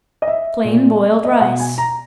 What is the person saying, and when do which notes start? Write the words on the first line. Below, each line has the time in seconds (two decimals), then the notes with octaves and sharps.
Plain Boiled Rice.
0.22 D#5
0.28 E5
0.64 A#2
1.24 D#5
1.32 E5
1.41 B2 F#5
1.60 G#5
1.78 A#5